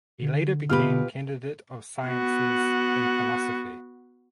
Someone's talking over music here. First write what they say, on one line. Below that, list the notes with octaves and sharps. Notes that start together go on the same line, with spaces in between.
He later became Candidate of Sciences in philosophy.
D3
B2 F4 G4 B4 F6
B3 F#4